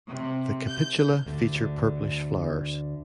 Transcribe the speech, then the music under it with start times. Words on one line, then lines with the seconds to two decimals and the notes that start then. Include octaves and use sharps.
The capitula feature purplish flowers.
0.10 C3
0.68 G6
1.26 D2 D3